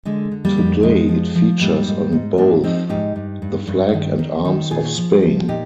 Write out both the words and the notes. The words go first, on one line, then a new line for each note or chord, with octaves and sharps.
Today it features on both the flag and arms of Spain.
D3 G#3
D3
G3 A#3
F2
F2 G#3
F3
F3
G#2 G3 A#3
G#2
G#2
G#2 A#3 D4
F3 C4 D#4
G#2 D#4 G4
G2
G2
G2
D#3
D#3
D#3
A#2 F4 G#4
F3
F3
A#2 D#4 G4